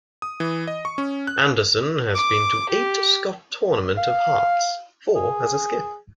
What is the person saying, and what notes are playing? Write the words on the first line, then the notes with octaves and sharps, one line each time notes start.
Anderson has been to eight Scott Tournament of Hearts, four as a skip.
D#6
E3
D#5
C#6
C#4
F#6
D6
G4
F5
G#4